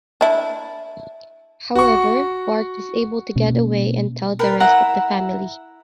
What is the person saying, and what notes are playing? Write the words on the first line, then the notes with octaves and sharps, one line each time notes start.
However, Bart is able to get away and tell the rest of the family.
D4 E4
F#4 C#6
B2 A#3 C#4
A#4 B4 G5
E4 E5 F#5 A#5